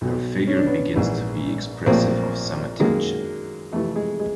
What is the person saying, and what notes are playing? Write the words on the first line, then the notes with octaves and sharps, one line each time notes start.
Her figure begins to be expressive of some attention.
B1 B2 F#3
C#4
D4
B3 C#4
A#1 G#2 E3
A#1 A2 F3 A#3 C4
F#2 D#3 F#3 G#3 A#3
F2 C3 E3 A3
G#3
G#3